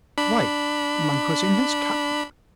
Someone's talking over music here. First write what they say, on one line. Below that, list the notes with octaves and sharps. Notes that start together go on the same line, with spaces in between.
"Why, Monk was in his camp."
D4 B5